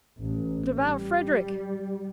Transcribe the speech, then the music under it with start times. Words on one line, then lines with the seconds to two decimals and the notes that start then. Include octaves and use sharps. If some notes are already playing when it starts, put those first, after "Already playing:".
'But about Frederick.
0.18 A1
0.80 G3